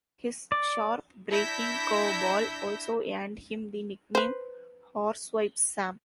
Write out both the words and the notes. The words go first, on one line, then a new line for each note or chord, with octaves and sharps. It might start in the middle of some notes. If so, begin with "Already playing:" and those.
His sharp breaking curveball also earned him the nickname "Horsewhips Sam".
D5
D4 E4 E6 G6 A#6 B6
B4 C5